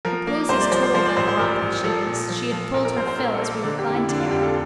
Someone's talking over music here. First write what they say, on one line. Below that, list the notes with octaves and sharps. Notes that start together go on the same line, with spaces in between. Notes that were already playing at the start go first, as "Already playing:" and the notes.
Her posies tool Mad romp that she is, she had pulled her fill as we reclined together.
F3 A#4
A#3
C2 C5
D5
F3 C5
C5
F3 C5
D5
A1 C5
C5
A1 A#4
A1
F3 A4
A#2
F3
F3
A#1 A#4
A#4
A#1 C5
C5
A#1 A#4
A4
A#3
D3 D5
G4
F2
E4
D3 D4
F4
F1 G4
A4